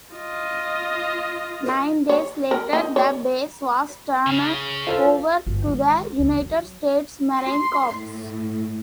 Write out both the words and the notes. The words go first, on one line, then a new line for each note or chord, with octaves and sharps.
Nine days later the base was turned over to the United States Marine Corps.
F4 D#5
C#5
A#4
D#4
C#5
C#3
F4 A4 C5
G1 F4
D#3 G#3
C#2
E3 F#3
C6
A2